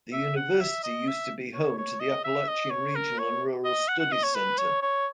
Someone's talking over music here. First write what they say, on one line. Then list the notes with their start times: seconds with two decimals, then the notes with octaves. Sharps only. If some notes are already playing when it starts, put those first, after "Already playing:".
The university used to be home to the Appalachian Regional and Rural Studies Center.
0.13 E5
0.36 F#5
0.60 E5
0.83 D#5
1.08 E5
1.54 C#5
1.78 C#5
2.00 D#5
2.24 E5
2.48 D#5
2.71 C#5
2.95 A#4
3.18 C#5
3.65 D#5
3.88 F#5
4.00 F#5
4.12 D#5
4.24 C#5
4.35 B4
4.58 C#5
4.82 C#5